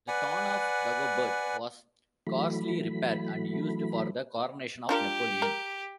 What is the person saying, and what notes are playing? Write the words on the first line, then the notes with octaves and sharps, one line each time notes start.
The "Throne of Dagobert" was coarsely repaired and used for the coronation of Napoleon.
B4 D5 F#5 G#5
E3 F#3 A3 B5
D4 F4 G4 A#4
A#4